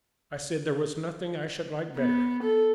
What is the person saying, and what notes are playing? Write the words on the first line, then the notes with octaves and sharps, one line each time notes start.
I said there was nothing I should like better.
B3
A4